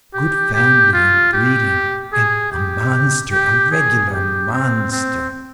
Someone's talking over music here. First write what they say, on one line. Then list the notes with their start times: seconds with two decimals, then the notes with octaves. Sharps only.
Of good family and breeding and a monster, a regular monster!
0.14 G4
0.54 G4
0.93 F4
1.33 G4
2.13 G#4
2.52 G4
3.32 G4
3.71 G#4
4.12 G4
4.52 C4
4.92 C4